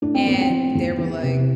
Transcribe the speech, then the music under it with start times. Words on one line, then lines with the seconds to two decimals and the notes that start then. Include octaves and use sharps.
and they were, like,
0.02 A2 D4
0.15 C4
0.26 A1 B3
0.41 C4
0.50 F3
0.75 E2
0.99 E3
1.23 C3